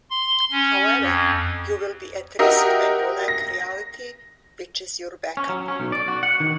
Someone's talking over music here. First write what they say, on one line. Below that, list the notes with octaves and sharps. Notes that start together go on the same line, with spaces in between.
However, you will be at risk when you lack reality which is your back-up.
C6
C#4
F2
F#4 G4 A#4 D#5 E5
A#6
C#4
F#3
C#4
B1
D5
F#4
F#5
D#3